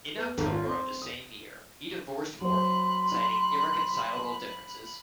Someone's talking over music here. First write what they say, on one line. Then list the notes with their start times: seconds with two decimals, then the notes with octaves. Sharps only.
In October of the same year, he divorced Morgan, citing irreconcilable differences.
0.17 B3
0.38 G#1
0.52 F4
0.65 C4
1.02 D#6
2.41 F#3 C5 B5 C6 F#6